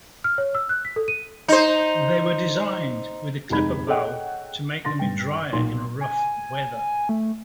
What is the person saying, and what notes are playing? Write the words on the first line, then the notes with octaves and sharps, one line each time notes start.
They were designed with a clipper bow to make them dryer in rough weather.
F6
C#5
E6
F#6
B6
A4
D#7
D#4 C5
F1 D#2 G#3 D#4 B5 G#6
G#4 A4 C#5 D#5 F#5 G5
D3 C6 A6 A#6
G2 G5
B1 A#2 C6
G#5
A3